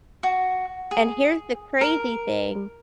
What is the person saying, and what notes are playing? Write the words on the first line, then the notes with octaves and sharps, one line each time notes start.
and here's the crazy thing,
F#4
G#4
A#4